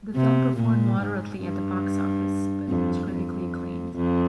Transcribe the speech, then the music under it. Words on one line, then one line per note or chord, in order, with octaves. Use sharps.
The film performed moderately at the box office, but was critically acclaimed.
C3
A#2
G#2
G2
F2
F2
F2